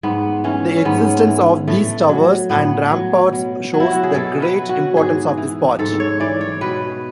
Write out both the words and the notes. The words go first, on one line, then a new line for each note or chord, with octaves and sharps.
The existence of these towers and ramparts shows the great importance of this part.
G#2 B3
E3 C#4
C#4
G#2 B3
E3
A2 A3
F#3
A2 B3
F#3
B2
F#3
E4
F#4
G#4
B2 A4
B4
F#3
F#4
G#2 G#4
E3
G#2 A4
C#5
E3 D5
C#5
B2 B4